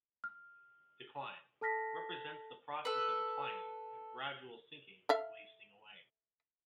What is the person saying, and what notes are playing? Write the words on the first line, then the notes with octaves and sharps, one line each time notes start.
"Decline" represents the process of declining, a gradual sinking and wasting away.
F6
A4 A5 F6 A#6 B6
A4 B4
A4 E5 F5